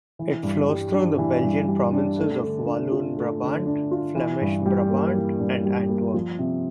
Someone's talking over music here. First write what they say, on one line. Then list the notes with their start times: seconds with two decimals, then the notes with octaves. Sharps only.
It flows through the Belgian provinces of Walloon Brabant, Flemish Brabant and Antwerp.
0.19 E3
0.43 G2
0.69 G3
0.93 D4
1.18 E3
1.43 G2
1.67 G3
1.92 D4
2.17 A3
2.42 D3
2.66 D4
2.92 F4
3.16 A3
3.42 D3
3.66 D4
3.91 F4
4.15 E3
4.41 G2
4.66 G3
4.90 A#3
5.15 E3
5.40 G2
5.65 G3
5.89 A#3
6.14 F3
6.39 C3